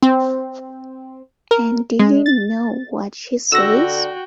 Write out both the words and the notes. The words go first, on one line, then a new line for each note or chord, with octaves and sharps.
And do you know what she says?
C4
A#4
G#3
A6
D3 F#4 G5 E6 A#6